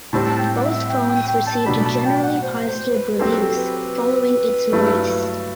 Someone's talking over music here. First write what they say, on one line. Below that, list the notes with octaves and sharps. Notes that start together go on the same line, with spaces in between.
Both phones received generally positive reviews following its release.
A2 G3 C4 A5
A5
G5
F#5
E5
G5
G5
G5
A5
B2 F#3 A3 D4 B5
A5
G5
F#5
C5
C5
B4
F#3 C4 G4 A4 C5
B4
G2 F#3 A3 E4